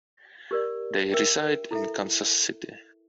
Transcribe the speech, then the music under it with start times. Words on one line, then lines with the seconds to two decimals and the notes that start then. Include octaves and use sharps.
They reside in Kansas City.
0.51 G4 A#4 D5
1.11 A#4 E5 G5
1.71 E4 A4 E5